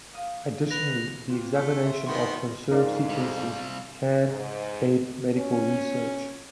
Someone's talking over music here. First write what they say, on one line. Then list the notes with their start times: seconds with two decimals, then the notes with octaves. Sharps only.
Additionally, the examination of conserved sequences can aid medical research.
0.14 A#3 D#6
0.71 D3 B4 A#6 F7
1.30 C4 F4
1.53 A3
1.83 E5 C6
2.06 D#3 B3 C5 F#5 C6 C#6
2.71 F2 G#2 D#4 A#4 D5 F5
3.09 C3 G3
4.24 G#2
5.35 C#4